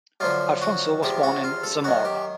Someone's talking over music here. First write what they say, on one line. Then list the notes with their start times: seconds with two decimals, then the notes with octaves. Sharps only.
Alfonso was born in Zamora.
0.20 F#2 D3 F3 F4
0.62 F#4
1.03 E2 C3 F3 G4
1.23 F#4
1.44 F4
1.63 A4
1.84 F#2 D#3 F#4
2.05 G4